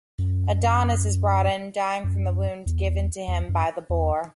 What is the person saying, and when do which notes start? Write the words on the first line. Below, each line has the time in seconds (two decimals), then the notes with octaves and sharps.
Adonis is brought in, dying from the wound given to him by the boar.
0.19 F#2
2.04 F#2
2.66 E2
3.28 E2
3.49 F#2
3.90 E2